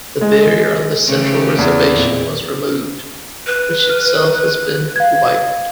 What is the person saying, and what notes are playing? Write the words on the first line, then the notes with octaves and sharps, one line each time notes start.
The barrier on the central reservation was removed, which itself has been widened.
G#3
C#3 A3 G4
E2
F2 A#2
B4
F6
F5 G#6